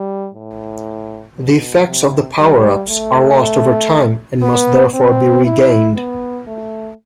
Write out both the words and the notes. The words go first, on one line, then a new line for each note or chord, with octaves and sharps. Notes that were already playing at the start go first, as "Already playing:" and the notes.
The effects of the power-ups are lost over time and must therefore be regained.
Already playing: G3
A2
B2
C3
G3
A3
B3
C4
E4
B3
A3